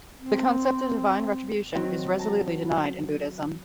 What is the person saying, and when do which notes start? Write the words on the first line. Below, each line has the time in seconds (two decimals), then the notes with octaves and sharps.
The concept of divine retribution is resolutely denied in Buddhism.
0.20 C4
1.74 D#3 F#3 C4
2.19 A5 A#5